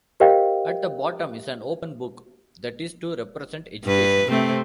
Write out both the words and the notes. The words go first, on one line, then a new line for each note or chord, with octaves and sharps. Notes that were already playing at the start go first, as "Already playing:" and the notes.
At the bottom is an open book that is to represent education.
G4 A#4 C5 D#5 F5 G5
G2 B4
C3 A3 C4